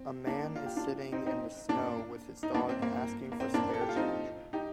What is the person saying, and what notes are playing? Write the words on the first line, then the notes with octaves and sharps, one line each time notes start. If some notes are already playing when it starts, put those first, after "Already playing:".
A man is sitting in the snow with his dog asking for spare change.
Already playing: C4
A#3 D4
F4
G4
D4 F4
C4 D#4
C4 D#4
A#3 D4
D#4
A#3 D4
C4
A#3
A#3
C4
A#3 D4
A4
G4
F4
C4 D#4
D#4 G4